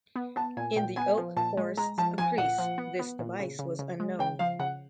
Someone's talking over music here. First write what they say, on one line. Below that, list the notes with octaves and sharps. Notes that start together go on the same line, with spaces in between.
In the oak forests of Greece this device was unknown.
B3
B3 A5
A#2 G#5
A#2 G5
B3 G#5
F3
A#2 A5
G#3
G#3 A#5
F3 A5
F3 G#5
A#2 F#5
F3
B3
B3
A#2
C#3
C#3
C#3
G#3
C#3 G5
F3 F5
C#3 F#5